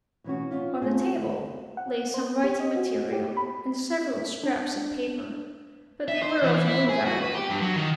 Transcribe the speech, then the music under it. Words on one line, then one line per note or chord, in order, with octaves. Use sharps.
On the table lay some writing material and several scraps of paper, but they were of no value.
B2 E3 C#4 F#4
C#4 D#4 F4
G3 A3 C4 C#4 F4 G#4
D3
F#5
C5
G4
D#5
F#4
G4
B5
D4
E5
C5
E3
E4
G#4
F#4
B4
G4
G2
F#3
D#3